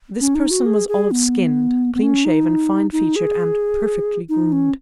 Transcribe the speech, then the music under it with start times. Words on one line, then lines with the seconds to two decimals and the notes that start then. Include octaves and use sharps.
This person was olive-skinned, clean-shaven, fine featured, and perfectly groomed.
0.21 C#4
0.35 D#4
0.51 F#4
0.66 G#4
0.88 G#4
1.11 B3
1.95 B3
2.03 C#4
2.25 D#4
2.93 D#4
3.16 G#4
4.29 D#4
4.52 C#4